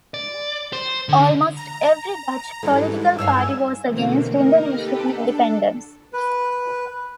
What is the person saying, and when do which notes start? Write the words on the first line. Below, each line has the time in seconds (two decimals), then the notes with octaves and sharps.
Almost every Dutch political party was against Indonesian independence.
0.14 D5
0.73 C5
1.09 D3
1.57 A#5
2.63 G#2 E3 G3 A4
3.19 G2 C#5 F5 G#5 E6
3.82 B2 D3 E3 A3 A#3 C4
4.29 A#3 D#4 A#4
4.68 G4 A4 B4
5.06 D4 A4
6.13 B4